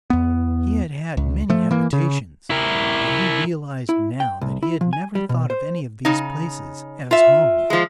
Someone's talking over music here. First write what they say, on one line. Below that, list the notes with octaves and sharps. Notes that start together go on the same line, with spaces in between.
He had had many habitations, but he realized now that he had never thought of any of these places as home.
E2 B3
C#2
F3 A3
E3 A#3
C#3
E4 A#4
E4
G5
C2
E4
F3
G#5
G3
B2
C5
C#3 D#4
F4 E5
F3 G#3